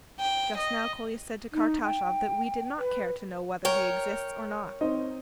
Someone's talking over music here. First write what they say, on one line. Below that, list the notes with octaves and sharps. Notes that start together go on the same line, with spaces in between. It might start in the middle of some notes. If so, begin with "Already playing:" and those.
Just now Kolya said to Kartashov that we did not care to know whether he exists or not.
G5
D#5
D#4
G5
B4
A#4 C#5 G5
C4 D#4 D#5